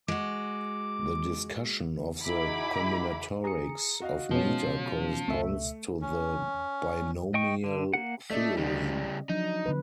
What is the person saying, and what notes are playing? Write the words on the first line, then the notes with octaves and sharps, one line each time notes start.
The discussion of the combinatorics of meter corresponds to the binomial theorem.
G#3 F#4 D6
D#4 E4 F#4 G#4 B5 D6
G#4 A#5 D#6 C#7
F#4 D#5 F5
B2 F3 G#3 B3 C#4
C#2 A3 E5
C#4
D#5 G5 C#6
D3
A#3 F#5
A3 C#4 D5 D#5
C#3 G3
F3 F#3 D4 D#4
D3 B3 B4